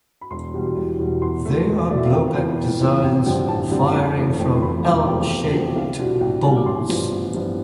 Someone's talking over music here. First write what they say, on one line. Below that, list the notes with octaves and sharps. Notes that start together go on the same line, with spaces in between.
They are blowback designs firing from "L"-shaped bolts.
B5
E1 C6
E2 B2 G3
E1
E2 B2 G3
E2 C6
B2 A3
E2
B2 A3 D5
E5
F5
F2 G5
E3 B3 F4
F2
E3 B3 F4
A1 G5
G2 D3 F3 C4 G5
A1 A5
G2 D3 F3 C4
F1
F2 E3 A3
F1 G5
C6
F2 E3 A3 B5
E1 D6
E2 C3 F3 A3 G5
E1
E2 C3 F3 A3
C2 F5
B2 G3 D4 F4
C2 G5
B2 G3 D4 F4 A5
D6
A1 C6
G2 F3 B3 F4
A1
G2 F3 B3 F4